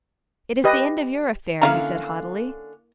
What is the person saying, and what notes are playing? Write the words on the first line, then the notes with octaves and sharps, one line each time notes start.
'It is the end of your affair,' he said haughtily.
G4 B4 D#5
D3 A#3 C#4 E4 F5 A#5